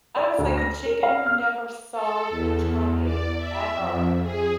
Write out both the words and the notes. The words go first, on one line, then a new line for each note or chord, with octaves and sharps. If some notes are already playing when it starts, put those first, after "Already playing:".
I was like, the chicken never saw your tummy ever.
D5
D2
A#6
A#4
F5
F6
A4
E2
D5
E5
F2
G#4